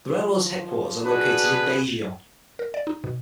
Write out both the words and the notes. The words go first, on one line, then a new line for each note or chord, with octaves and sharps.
The railroad's headquarters are located in Daejeon.
F3
D4 F#4 G#4 B4
A#4
D5
D#4
B2